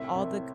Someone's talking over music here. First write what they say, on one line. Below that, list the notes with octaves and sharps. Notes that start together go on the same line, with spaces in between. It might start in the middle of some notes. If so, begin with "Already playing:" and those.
all the g
Already playing: C2 A2 E5
C2